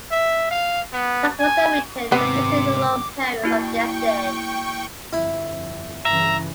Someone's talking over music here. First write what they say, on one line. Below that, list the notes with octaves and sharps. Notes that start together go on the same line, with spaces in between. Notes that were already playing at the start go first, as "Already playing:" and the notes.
Short works are written, dismissing the long poems of yesterday.
E5
F5
B3
G#5
G#1 C3 B3 D6
A#3 E4 F#4 G5 C#6
G1 F2 E4
G2 C#3 E3 E5 A#5